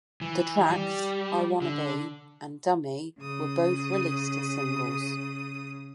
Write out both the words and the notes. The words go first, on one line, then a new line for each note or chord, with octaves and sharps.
The tracks "I Wanna Be" and "Dummy" were both released as singles.
E3
G3
D3
C#3 D#6